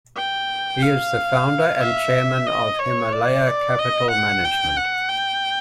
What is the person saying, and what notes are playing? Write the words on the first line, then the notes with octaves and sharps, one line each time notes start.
He is the founder and Chairman of Himalaya Capital Management.
G5
F5
E5
D#5
C#5
D5
D5
D#5
F#5
G5
F#5
G5